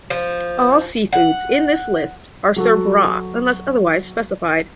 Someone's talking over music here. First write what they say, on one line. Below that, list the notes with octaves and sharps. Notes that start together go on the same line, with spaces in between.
All seafoods in this list are served raw unless otherwise specified.
F3
F#5
F#3 F#4 A4